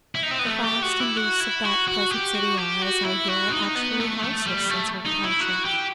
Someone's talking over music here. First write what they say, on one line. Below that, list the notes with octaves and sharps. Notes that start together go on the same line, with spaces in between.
The fast and loose of that pleasant city are, as I hear, actually houseless since her departure.
E4
D#4
C4
B3
A3
G4
F#4
E4
F#4
E4
F#4
F#4
G4
F#4
G4
F#4
E4
F#4
C4
D#4
B3
A3
A3
G3
A3
D#4
E4
F#4
G4